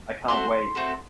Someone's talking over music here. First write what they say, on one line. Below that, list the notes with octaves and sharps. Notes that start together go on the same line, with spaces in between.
I can't wait!
A3 C4 F#4 A4 C6
A3 C4 F#4 A4